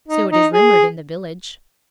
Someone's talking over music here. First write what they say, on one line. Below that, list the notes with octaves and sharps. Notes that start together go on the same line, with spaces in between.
'So it is rumored in the village.'
D#4
D#4
G#4